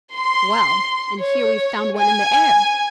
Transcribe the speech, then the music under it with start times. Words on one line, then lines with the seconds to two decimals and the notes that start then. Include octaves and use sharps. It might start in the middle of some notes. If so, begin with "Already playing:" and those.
"Well; and here we've found one in the air!"
0.16 C6
1.22 C#5
1.98 G#5